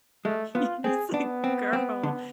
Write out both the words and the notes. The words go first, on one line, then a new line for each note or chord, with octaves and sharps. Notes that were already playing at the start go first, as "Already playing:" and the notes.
he's like, "Girl,
G#3 A3
B3 F4
C4 G#4
B3 D4
C4
C4
D3